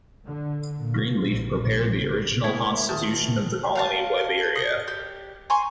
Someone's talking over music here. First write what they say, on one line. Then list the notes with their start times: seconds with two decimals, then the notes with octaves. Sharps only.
Greenleaf prepared the original constitution of the Colony of Liberia.
0.26 D3
0.78 A#2
1.32 A#1
2.44 G#3 A#3 E4 G#4 A#4 C#6 G#6
2.89 D#1 G#4 A5 D#6 F6
3.75 F5 F#5 A5
4.55 D#6
4.88 G4
5.50 G#5 A#5 C6 C#6